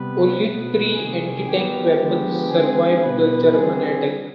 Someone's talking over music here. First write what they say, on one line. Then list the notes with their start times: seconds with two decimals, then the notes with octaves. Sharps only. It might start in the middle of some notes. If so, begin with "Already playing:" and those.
Only three antitank weapons survived the German attack.
Already playing: C3 G3 B3 B4
0.42 B2 B3 B4
0.94 C3 D#3 G3 G#4
1.46 D#3 G3 B3 G4
1.98 D3 F3 G#3 B3
2.49 D3 G#3 C4 G#4
3.02 B2 G3 B3 B4
3.54 D3 G3 C4 G#4